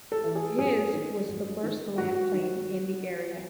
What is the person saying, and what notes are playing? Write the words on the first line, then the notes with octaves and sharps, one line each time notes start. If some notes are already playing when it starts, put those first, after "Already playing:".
His was the first land claim in the area.
A4
E3
G#4
F#2 G#4
D#3
F#2
D#3
G2 F#4
D#3